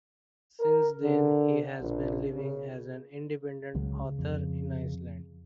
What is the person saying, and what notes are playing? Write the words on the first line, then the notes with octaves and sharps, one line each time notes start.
Since then he has been living as an independent author in Iceland.
A#4
D3
A#1
C#3
C#2 C#3 F#3
F2